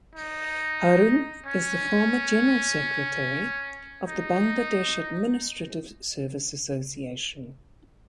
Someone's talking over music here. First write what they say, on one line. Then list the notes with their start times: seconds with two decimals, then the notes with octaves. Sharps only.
Harun is the former General Secretary of the Bangladesh Administrative Service Association.
0.15 D#4
1.46 C#4
4.07 D#4